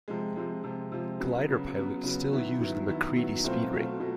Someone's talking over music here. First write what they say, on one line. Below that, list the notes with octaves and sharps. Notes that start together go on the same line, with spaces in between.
Glider pilots still use the "MacCready speed ring".
C3 F3 G#3
C3 F3 G#3
C3 F3 G#3
C3 F3 G#3
C#3 F#3 B3
C#3 F#3 B3
C#3 F#3 B3
C#3 F#3 B3
D#3 F#3 B3 E4
D#3 F#3 B3 E4
D#3 F#3 B3 E4
D#3 F#3 B3 E4
B2 F#3 A3 C4 F4
B2 F#3 A3 C4 F4
B2 F#3 A3